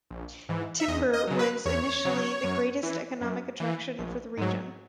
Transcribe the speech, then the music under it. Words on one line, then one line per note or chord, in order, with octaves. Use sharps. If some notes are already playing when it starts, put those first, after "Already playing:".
Timber was initially the greatest economic attraction for the region.
A#1
G#2 E3
E5
E2 D#5
D#5
C#3 F#3
B4
E2 C#5
C#3 F#3
F#2
E3
F#2
E3
A#1
G#2 F#3